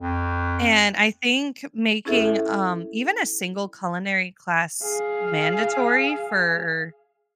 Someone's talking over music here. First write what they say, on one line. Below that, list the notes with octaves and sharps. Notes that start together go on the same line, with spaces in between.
And I think making, um, even a single culinary class mandatory for
F2
C#4 E4 G#4 A4 E5
G#4 F5